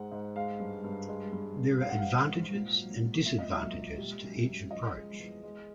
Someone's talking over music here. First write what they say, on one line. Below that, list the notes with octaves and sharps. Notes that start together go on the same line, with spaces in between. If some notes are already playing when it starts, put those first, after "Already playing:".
There are advantages and disadvantages to each approach.
Already playing: G#2 G#3 F#5
G#2
G#3 F5
G2
G2
G#3
G2
G2
G3 F5
F#5
F5
G#2
G#2
A#2
F#3
A#2
A#2 E5
D#5
F#3 E5
A#2
G3
F#2
F#2
F3 D#5
G#3
E2
G#3